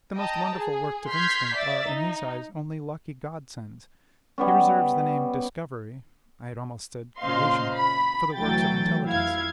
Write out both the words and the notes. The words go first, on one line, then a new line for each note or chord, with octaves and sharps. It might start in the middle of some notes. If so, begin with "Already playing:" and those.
The most wonderful works of instinct are, in his eyes, only lucky GOD-SENDS; he reserves the name DISCOVERY--I had almost said creation--for the works of intelligence.
D#5 G5 A5 A#5
G#4
C6 F6 G6 G#6 B6 C7
D5 E5 A6
D#4
G3 B3 C#4
A#2 C#3 C5 D#5 F5 C6
B5
D2 E3 F#3 A3 G5 A6
F2 E4 F5 G#6